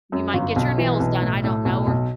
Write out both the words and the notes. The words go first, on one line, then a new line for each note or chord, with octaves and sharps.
you might get your nails done, I don't know, or
F#2
G1
B1
E3
B1
A2
A2
B1
B1